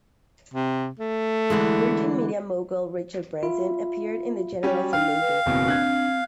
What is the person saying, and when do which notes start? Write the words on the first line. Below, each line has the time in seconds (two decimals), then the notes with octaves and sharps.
Virgin media mogul Richard Branson appeared in the "Generals and Majors" video.
0.54 C3
0.99 A3
1.50 D3 E3 G#3
3.43 F4 E5 B5
4.63 G3 C#4 F#4 G4
4.93 D4 F5 G5 F6
5.21 B4
5.46 F#1 B2 E3 C4
5.68 D4 F#6 G#6